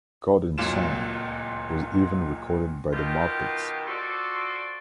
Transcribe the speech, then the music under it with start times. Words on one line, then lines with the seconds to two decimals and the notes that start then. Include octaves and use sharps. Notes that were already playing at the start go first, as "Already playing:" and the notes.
"Garden Song" was even recorded by the Muppets.
0.58 D1 C#2 A#2 F#3 F4 E7
2.93 B2 D#3 F4 G4
3.87 F4 F#4 A4 C5 D5